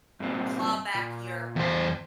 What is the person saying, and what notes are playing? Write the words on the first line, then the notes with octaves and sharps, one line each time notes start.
claw back your
G2 A#2 C4
A#2
E2 C5